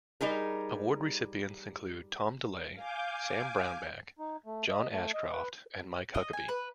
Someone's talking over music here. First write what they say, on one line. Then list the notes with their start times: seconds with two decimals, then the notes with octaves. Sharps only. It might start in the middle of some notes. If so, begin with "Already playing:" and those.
Award recipients include Tom DeLay, Sam Brownback, John Ashcroft, and Mike Huckabee.
0.21 G3 D#4 G#4 A#4
2.75 F5 G#5 D6 G6
4.19 D#4
4.46 A3
4.69 D#5
4.91 A3
5.14 D#5
5.32 B4
6.14 D#5
6.33 G#5
6.49 B4